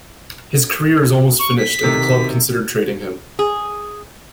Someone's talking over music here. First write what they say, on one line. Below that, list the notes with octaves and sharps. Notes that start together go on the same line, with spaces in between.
His career is almost finished and the club consider trading him.
C#6
B6
C3 D#3
G#4